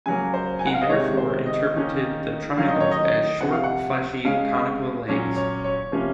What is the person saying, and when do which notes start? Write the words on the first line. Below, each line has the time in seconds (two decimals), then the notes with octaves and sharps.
He therefore interpreted the "triangles" as short, fleshy, conical legs.
0.06 C#3 F#3 A#3 G#5
0.34 C5
0.59 G#5
0.66 F#5
0.74 F5
0.82 D#5
0.89 C3 D#3 G#3 C#5
1.17 C5
1.46 D#5
1.74 D#3 A#3 C#4
2.57 D#3 F#3 C#4 F5
2.68 D#5
2.80 C#5
2.92 D#5
3.40 C3 F3 C4 F#5
3.52 F5
3.64 F#5
4.25 C#3 G#3 C#4 F5
5.08 A#2 F#3 C#4 C#5
5.36 C#5
5.64 C#5
5.92 C3 F3 A#3 C#4